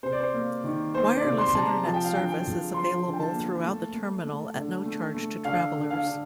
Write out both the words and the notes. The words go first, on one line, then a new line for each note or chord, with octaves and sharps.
Wireless internet service is available throughout the terminal at no charge to travelers.
C3 C5
D5
C5
A#3
D#3
A#3 C5
C5
D5
C3
C6
C3 A5
A#5
F3 A5
G5
F5
D3 G5
G5
F3
F3 C6
D3
G5
A5
A#3
A3
A3
A3
D3
A3
A3
D3 F5
D3
F5
D3